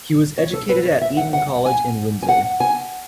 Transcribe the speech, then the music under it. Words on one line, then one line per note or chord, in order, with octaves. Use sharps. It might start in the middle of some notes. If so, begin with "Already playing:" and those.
He was educated at Eton College in Windsor.
C#5
A4
B4
C#5
E5
F#5
F#5
G#5
G#5
F#5
G#5